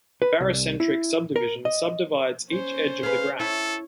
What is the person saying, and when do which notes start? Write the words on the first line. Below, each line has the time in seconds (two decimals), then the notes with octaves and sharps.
The barycentric subdivision subdivides each edge of the graph.
0.22 B4
0.40 C2
0.80 E4
1.36 A#4
1.65 D#5
2.50 C#4 C5
3.03 G#4 B4 F5
3.40 E4 A4 C#5